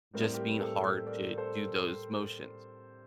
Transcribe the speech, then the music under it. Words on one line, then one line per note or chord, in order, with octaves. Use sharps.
just being hard to do those motions,
A2 G3 C4 A#4
C5
G4 A#4
A4 C5
A#4 D5
A4 C5